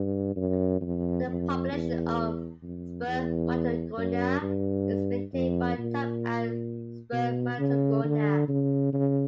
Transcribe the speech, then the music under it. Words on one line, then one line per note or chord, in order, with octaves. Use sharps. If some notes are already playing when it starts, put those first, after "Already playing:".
The population of spermatogonia is maintained by "type Ad spermatogonia".
Already playing: G2
F#2
F2
F2
E2
F2
E2
F#2
G2
F2
A#2
B2
C#3
D3
C#3
C#3